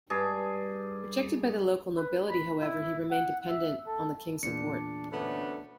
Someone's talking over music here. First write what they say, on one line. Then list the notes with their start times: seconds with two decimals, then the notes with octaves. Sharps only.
Rejected by the local nobility, however, he remained dependent on the king's support.
0.10 G2 G#4
1.97 B4
2.30 B5
2.62 E4
3.11 F#5
3.49 E5
3.87 A4
4.43 E2 A#2 D4 C#7
5.12 D2 A3 B3 C#4 D4